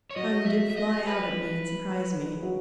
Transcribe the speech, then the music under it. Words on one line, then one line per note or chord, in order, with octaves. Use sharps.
How you did fly out at me and surprise me.
C#5
F#3 F#4 D#5
E5
E5
D#5
B4
G#4
F#3 F#4